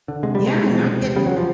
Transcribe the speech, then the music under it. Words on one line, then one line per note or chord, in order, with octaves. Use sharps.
Yeah, not get
D3
C3 G#3
C3 G3
G#3
B2
B2
C3
E2
C#3 G3
F#3
F3